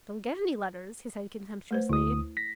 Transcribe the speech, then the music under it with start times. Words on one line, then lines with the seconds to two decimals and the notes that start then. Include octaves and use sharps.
"Don't get any letters," he said contemptuously.
1.71 A3 B4 C5
1.89 D2 E4 D#6
2.37 A#6 B6